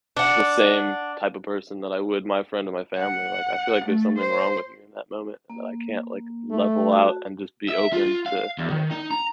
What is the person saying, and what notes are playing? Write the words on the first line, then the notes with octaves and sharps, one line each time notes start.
the same type of person that I would my friend and my family, like, I feel like there's something wrong with me in that moment and that I can't, like, level out and just be open to, you know,
D4 F#5
F#5
A3
C5
A#3
A3
F#4 A5
E5
F4
F5
E2
D#3
D#4
A#5